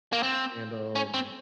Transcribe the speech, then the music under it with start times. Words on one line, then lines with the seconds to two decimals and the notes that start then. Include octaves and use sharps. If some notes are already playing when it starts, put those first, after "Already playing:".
and, um,
0.13 A#3
0.23 C4
0.95 C#4
1.14 C4